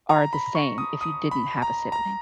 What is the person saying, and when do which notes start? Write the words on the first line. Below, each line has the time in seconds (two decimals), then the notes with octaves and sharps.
or the same if you didn't have a sibling?
0.09 A#5
0.33 B5
0.55 C#6
0.78 D#6
1.01 D#6
1.31 B5
1.62 A#5
1.92 A#5